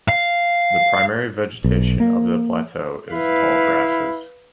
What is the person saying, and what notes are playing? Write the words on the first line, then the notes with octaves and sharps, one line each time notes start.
The primary vegetation of the plateau is tall grasses.
F5
B1
A#3
E4 B4 F5